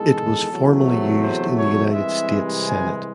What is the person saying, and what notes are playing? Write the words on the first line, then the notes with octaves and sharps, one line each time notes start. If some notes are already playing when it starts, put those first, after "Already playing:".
It was formerly used in the United States Senate.
Already playing: E2 D#3 G#3 A4
E2 C3 F#3 A3
C5
C#5
C2 C3 E3 G#3 E5
G#5